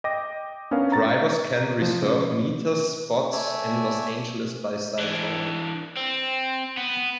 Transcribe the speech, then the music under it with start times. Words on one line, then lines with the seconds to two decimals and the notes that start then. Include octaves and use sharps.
Drivers can reserve meters spots in Los Angeles by cellphone.
0.04 D#5 G5 D6 A#6
0.71 B3 C#4 D4 A#4 F5
0.92 A#5 A6
1.82 F3
2.02 C#3
3.32 A3 C#5 D5 E5 G#5
4.99 E3 D4
5.97 C4
6.78 B3